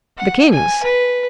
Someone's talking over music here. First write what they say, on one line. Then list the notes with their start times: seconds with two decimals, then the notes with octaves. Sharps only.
The king's.
0.18 F#5
0.50 G#5
0.83 B4